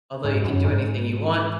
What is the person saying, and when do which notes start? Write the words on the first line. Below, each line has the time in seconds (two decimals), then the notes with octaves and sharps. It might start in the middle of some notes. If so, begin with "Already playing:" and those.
although you can do anything you want,
0.24 G#2
0.44 F#2
0.64 G#2